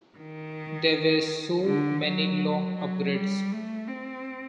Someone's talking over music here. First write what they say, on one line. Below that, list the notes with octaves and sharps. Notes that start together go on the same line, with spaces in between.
There were so many long upgrades.
D#3
D3
F#3
F#3
G3
A3
C4